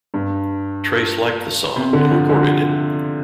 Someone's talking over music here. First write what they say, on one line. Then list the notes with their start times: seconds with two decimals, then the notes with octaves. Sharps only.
Trace liked the song and recorded it.
0.14 G2
1.76 C3
1.93 D3
2.11 F3
2.29 D3